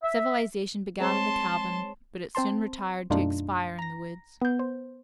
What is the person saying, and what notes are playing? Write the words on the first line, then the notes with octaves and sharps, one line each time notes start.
Civilization began in the cabin, but it soon retired to expire in the woods.
E5
G#3 C4 C#5 A5 C6
C4 C5 A5 C6
F#2 B2 A3 D4 D#4 F4
A#5 A#6
B3 G6
C5